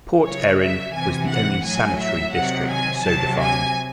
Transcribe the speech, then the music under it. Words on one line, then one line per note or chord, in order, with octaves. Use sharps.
Port Erin was the only sanitary district so defined.
C#3 F#3 C#5
E5
C3 E3 G#5
F#5
A2 F#3 G#5
E5
C3 D#3 F#3 F#5
G#5
C3 F#3 A5
G#5